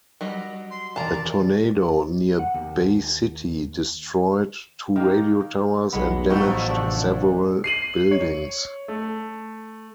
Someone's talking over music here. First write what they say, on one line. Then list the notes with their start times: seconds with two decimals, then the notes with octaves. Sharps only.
A tornado near Bay City destroyed two radio towers and damaged several buildings.
0.21 F#3 G3 D#5
0.70 C6
0.96 E1 D#3 D5 A5 A#5
2.39 F#5
2.54 D#2
4.96 D#3 A#3
5.93 B1 F#3 G#3 B3
6.30 A1 F2 A2 A3 D#4 F#4 G5
6.69 C3 D4
7.64 C7 D#7 F#7
8.11 C#5
8.88 A3